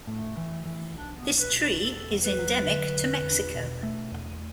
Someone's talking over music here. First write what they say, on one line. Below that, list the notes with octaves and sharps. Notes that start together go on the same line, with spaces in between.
This tree is endemic to Mexico.
A2 A3
E3
E3
B1 D4
B3
B1
B4
B1
B4
E1 A4
E2
B4
F#3
D3
E1
E2
B2
A3
E2